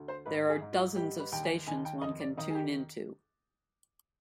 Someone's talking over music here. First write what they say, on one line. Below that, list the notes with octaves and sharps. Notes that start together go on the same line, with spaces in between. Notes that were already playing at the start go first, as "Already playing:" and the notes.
There are dozens of stations one can tune into.
Already playing: D2
C5
G#2 B4
G#4
G#2
F4
G3 G4
B4
D#2 G5
G#5
D#3 G#5
G5
F2 D#5
D5
D#3 D#5
G#4
G4